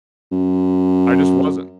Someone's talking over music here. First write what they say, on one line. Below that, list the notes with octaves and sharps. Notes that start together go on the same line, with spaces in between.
I just wasn't.
F#2